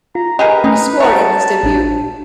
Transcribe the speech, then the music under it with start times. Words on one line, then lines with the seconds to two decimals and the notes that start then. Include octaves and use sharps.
He scored on his debut.
0.15 F4 A#5
0.39 G4 G#4 A#4 B4 D#5
0.64 A3 C#4 D#4 D#6
1.00 F#4 A#4 C#5 E5 A5
1.63 A1 D4